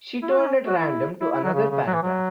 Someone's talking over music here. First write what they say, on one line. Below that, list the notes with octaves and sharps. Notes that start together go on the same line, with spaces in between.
She turned at random to another paragraph.
E4
F#4
E4
C#4
F#4
E4
E4
E4
F#3
C#3
C#3
F#3
E3
F#3